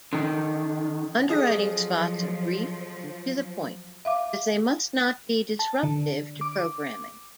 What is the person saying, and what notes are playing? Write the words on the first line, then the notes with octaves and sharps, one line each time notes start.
Underwriting spots are brief and to-the-point, as they must not be disruptive to programming.
D3 D#3
F2 F3 F#3 G#4
E5 F5 D6
A5
D3
D6